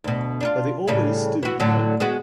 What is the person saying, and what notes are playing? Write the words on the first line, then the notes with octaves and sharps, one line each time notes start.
But they always do, you know.
D2 B2
D4 D#4 F4
A2 C#3 G3
E3 F#4
A2 D3 F#3
G#3 B3 F#4